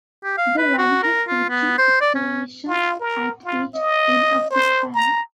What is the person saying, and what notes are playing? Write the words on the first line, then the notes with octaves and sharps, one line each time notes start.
The line had switching stations at each end of the span.
G4
F5
B4
F#4
A#4
F4
B3
C5
D5
C#4
F4
A#4
F4
D#5
C5
A#5